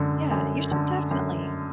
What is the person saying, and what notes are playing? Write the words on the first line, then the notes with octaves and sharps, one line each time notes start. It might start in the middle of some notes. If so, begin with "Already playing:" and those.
yeah, you should definitely.
Already playing: F#2 D3
F#2
D3
F#2